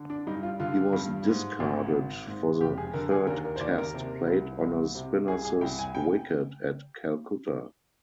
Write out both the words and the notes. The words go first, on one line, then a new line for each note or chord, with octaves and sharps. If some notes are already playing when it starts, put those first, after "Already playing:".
He was discarded for the third Test, played on a spinners' wicket at Calcutta.
Already playing: D3
D4
G2 D#4
F4
D3 F4
G2
G#2
G#1
G#1
G#2
F1 G4
G#4
D3 A#4
G#4
D#2 A#4
A#4
C5
D#2 D5
A#4
C3
C2
C2
C3
C2 G#4
G#4
C2 G5
G#5
G5